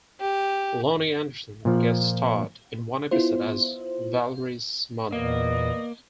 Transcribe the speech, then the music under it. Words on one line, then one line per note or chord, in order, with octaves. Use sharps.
Loni Anderson guest-starred in one episode as Vallery's mother.
G4
A#2 F3
B3 E4 F4 C5
E2 A#2 A#3 B3 D5 D#5